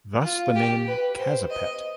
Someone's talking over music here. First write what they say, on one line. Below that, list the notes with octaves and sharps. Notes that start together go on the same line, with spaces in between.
Thus the name Kazipet.
F4
G4
B4
C5
D#5